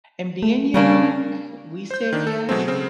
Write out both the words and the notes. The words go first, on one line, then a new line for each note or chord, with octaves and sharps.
and being young, we said, "Yes."
A3
C#3 G3 A#3 D4
C5 G6
D#3 D4
A4
B2 F#3 G#3 A3 C4
C#3 C4